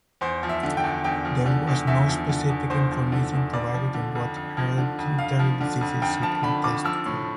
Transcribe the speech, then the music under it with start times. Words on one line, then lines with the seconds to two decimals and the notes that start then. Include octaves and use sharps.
There was no specific information provided on what hereditary diseases it can test for.
0.21 E2 C5
0.43 F3
0.49 E5
0.63 D3
0.77 G5
0.84 E2
1.04 E2 G5
1.25 F3
1.46 D3
1.67 E2
1.87 E2 E5
2.08 F3
2.29 D3
2.49 E2
2.70 E2 C5
2.92 F3
3.12 D3
3.33 E2
3.53 F2 D5
3.74 F3
3.94 D3
4.15 F2
4.36 F2
4.57 F3
4.78 D3
4.98 F2
5.18 F2 F5
5.39 F3
5.61 D3
5.81 F2
6.02 F2 G5
6.22 F3 A5
6.43 D3 B5
6.64 F2 D6
6.84 F3 E6
7.06 A2